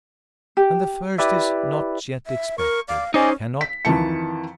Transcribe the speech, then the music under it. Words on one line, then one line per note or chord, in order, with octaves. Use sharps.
And the first is not yet expected--cannot be.
G4
E4 G4 B4 D5 E5
E5
A#4 C#6
D5 F5
C#4 D#4 G#4 C5 D5 D#5
B6
F2 D#3 E3 A5 C#7